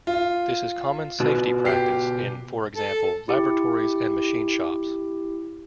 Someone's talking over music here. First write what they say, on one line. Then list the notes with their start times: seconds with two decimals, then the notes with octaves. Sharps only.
This is common safety practice in, for example, laboratories and machine shops.
0.07 F4
1.20 B2 F4 F#4
1.65 G4 C7
2.76 A4
3.28 E4 G4